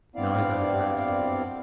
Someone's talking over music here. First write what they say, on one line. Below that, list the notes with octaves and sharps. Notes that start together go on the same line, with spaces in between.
Neither had landed a blow.
G2 B3 C4 E4 D5 F5